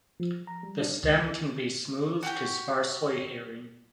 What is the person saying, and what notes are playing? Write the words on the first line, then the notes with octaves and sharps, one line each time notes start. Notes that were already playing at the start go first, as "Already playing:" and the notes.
The stem can be smooth to sparsely hairy.
F3
A#5
G3
D4
C#2
F#4 G4